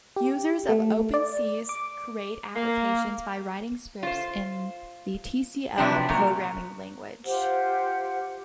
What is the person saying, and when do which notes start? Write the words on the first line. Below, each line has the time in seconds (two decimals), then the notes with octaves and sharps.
Users of OpenSees create applications by writing scripts in the Tcl programming language.
0.16 G4
0.69 A3
1.14 D5
1.69 D6
2.56 A#3
4.03 F4 C5
5.78 C3 F3 F#3 B3 C4 D4
6.09 A#2 F#3 A#4
7.25 F4 G4 C5 F#5